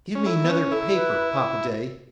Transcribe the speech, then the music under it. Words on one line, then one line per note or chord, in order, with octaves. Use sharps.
"Give me 'nother paper, Papa-day."
C#4
E4 A4
B3
C#4 B4
E4 A4
B4